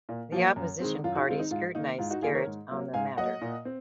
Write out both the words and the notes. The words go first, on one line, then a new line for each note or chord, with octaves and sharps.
The opposition party scrutinized Skerrit on the matter.
A#2
F3 A#3
F#2
D#3 G#3 C4
F#2 F4
D#4 F#4
D#3 G#3 C4 F4
D#4
G#2 F4
D#3 A#3 D#4
G#2 F4
D#4 F#4
D#3 A#3 F4 G#4
A#4 C#5
G#2
F#3 A#3
G#2 F5 G#5
F#3 A#3 D#5 F#5
A#2
C4